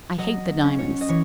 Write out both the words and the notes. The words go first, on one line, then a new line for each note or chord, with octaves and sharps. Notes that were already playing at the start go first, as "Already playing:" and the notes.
I hate the diamonds.
F#3 D#5
C#4
C#5
D#5
E3 C#5